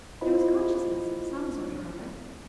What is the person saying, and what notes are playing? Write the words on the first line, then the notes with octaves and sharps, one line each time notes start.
There was consciousness of some sort or other.
E4 F4 C5 D#5 B5